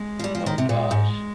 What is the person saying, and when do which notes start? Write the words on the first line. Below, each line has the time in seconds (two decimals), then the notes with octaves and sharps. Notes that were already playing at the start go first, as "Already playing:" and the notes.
Oh, gosh.
Already playing: G#3
0.19 F3
0.24 G3
0.35 F3
0.46 D#3
0.58 C3
0.69 A#2 G#3
0.91 G#2